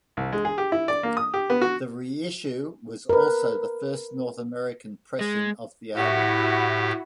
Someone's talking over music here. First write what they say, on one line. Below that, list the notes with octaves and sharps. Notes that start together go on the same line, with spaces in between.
The reissue was also the first North American pressing of the album.
C2
G#3
G#4
G4
E4
D5
A#3
D#6
G4
B3
F#4
A#4 B4
G#3
A2 E4 F#4 G4